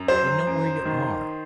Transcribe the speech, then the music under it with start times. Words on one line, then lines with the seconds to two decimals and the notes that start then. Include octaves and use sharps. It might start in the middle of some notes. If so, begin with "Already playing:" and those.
You know where you are.
Already playing: F#2
0.08 F#3 C5
0.47 F#2
0.85 D#3